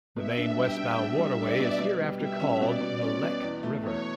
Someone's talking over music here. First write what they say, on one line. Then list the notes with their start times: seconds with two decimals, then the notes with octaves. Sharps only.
The main westbound waterway is hereafter called the Lek River.
0.16 B2 E5
0.37 D4
0.57 G3 G5
0.77 D4
0.98 D4 E5
1.18 G3
1.38 D4 D5
1.60 B2
1.79 B2
2.00 G3
2.20 G3 E5
2.40 C#4
2.61 B2 D5
2.81 B2
3.01 C#4
3.22 B2
3.43 E2
3.63 A3
3.84 E2 C#5